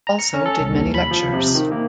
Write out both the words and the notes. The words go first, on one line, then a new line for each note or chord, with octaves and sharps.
Also did many lectures.
A#5
C#7
C#4
A4
C2
D#2
B5
F3
C3
D#3
A#3